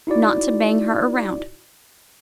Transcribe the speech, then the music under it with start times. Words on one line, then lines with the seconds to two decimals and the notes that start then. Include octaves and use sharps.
Not to Bang her round.
0.07 D#4 E4 F#4 D5